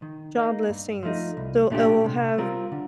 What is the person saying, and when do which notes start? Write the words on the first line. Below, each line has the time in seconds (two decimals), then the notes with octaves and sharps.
job listings so it will have
0.02 D#3
0.36 A#3 D#4
0.69 G2
1.03 F3 A3 D#4
1.37 C2
1.70 A#2 A3 D4 G4
2.04 C3
2.38 G3 C4 F4 A#4
2.72 D3